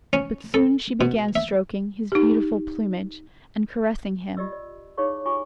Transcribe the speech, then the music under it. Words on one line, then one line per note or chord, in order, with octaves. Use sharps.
But soon she began stroking his beautiful plumage, and caressing him.
C#4
A4
B2
E5
D#4 G4
F4 G4 D5 D#5 E6
D5
D#4 E4 G#4 C#5 F5 C#6
F4 G4 G#5 C#6 D6